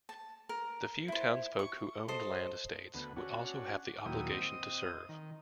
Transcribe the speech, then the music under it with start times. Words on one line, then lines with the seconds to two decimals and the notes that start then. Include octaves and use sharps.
The few townsfolk who owned land estates would also have the obligation to serve.
0.09 A5
0.49 A#4
1.08 E4 C5
1.59 C#6
2.08 A4 C5 D#5
2.95 D2 B3
3.16 C#4 D4 F#4
4.05 D#2 A#2 F#3 E4 G5 D#6
4.31 C4 D#5 D#6
5.09 D#3